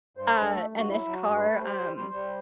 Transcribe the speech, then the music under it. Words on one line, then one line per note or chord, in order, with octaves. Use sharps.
Uh, and this car, um,
G2 C5
G2 B4
A4
A3
G2
F#4
F#3 E4
F#3
F#4
G2
B4
A3
G3 C5
G3
G3 C5
G3